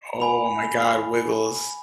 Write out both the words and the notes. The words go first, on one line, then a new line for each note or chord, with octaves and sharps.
Oh my god, Wiggles.
G#5 B5 F7